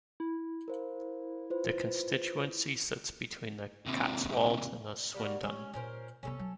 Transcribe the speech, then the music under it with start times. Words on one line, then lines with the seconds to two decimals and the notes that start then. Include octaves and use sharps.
The constituency sits between the Cotswolds and Swindon.
0.20 E4
0.68 A#4 C5 F5
1.50 F4 B4 C5
3.86 D#2 C3
5.14 G3 A#3 F#4
5.43 G#3 C#4
5.73 A#2 C#4 A#4 C5
6.23 C3 B3 C#4 A4
6.39 F#3